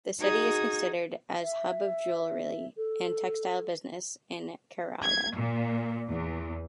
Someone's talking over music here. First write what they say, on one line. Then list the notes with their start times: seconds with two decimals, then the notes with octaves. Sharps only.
The city is considered as hub of jewellery and textile business in Kerala.
0.21 D#4 F#4 G#4 D#6 G#6
1.43 E5
2.77 A4
5.02 G#6
5.36 A#2
6.08 E2